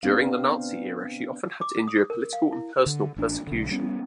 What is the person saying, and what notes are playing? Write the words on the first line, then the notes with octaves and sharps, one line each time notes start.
During the Nazi era she often had to endure political and personal persecution.
B3 C4 D4 F5
D6
D#6
A#4
F5
E4
D3
A1 D4
B1 D3
G3 B3 C#4